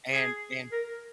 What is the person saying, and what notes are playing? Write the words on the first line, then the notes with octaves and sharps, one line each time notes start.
and and
G#4
A#4